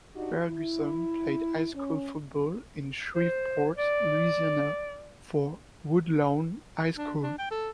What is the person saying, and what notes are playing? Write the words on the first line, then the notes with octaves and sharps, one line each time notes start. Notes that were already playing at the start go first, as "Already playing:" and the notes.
Ferguson played high school football in Shreveport, Louisiana, for Woodlawn High School.
D4 D#4 F#4 G4
E4
C#4
C5
D5
D4
D4
G5
A4